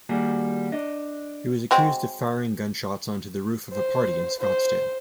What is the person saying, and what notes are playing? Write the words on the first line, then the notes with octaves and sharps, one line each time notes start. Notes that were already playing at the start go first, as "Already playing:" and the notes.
He was accused of firing gunshots onto the roof of a party in Scottsdale.
D#3 G3 A#3 F#4 G#4
D4 D#5
F#3 G#3 C4
C5
C5